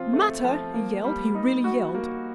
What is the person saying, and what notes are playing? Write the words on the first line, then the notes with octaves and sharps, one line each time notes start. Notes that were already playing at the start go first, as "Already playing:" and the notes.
"Matter!" he yelled; he really yelled.
Already playing: F3 C4 F4
A3
F3
A#3
G3
D#4
F#4
A#3